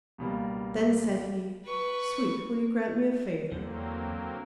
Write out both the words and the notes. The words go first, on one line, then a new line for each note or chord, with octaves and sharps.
Then said he, "Sweet, will you grant me a favour?"
C#2 B2 G3 A#3
B4 C#6
E2 D3 F#3 A#3 C4